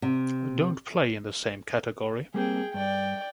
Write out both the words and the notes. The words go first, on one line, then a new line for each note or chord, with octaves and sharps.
Don’t play in the same category.
C3
G3 A#3 C4 G#4 G5
G2 D5 G5